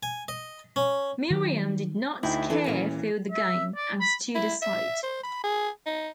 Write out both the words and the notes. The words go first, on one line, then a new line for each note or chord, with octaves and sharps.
Miriam did not care for the game, and stood aside.
G#5
D#5
C#4
D#3 F#3
D2 D#4 E4 G5
E3 D4 E4 A4
D#2 A#2 C#4
E5
D5
B5
E4
E5
C5
B5
G#4
D#4